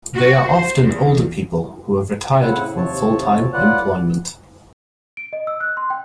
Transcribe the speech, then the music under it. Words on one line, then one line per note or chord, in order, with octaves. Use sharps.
They are often older people who have retired from full-time employment.
F#4
C5
E2
A2 C#3 C4 E4 F#5
D#2 C3 C4 C#5 A5
F#3 F4 B4 D5 F#5 F#6
D7
D#5
E6
F#6
C6
G5